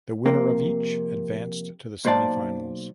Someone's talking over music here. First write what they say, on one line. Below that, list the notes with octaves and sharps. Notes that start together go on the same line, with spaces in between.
The winner of each advanced to the semifinals.
F2 C3 A#3
B1 A#3 C5 D5 A5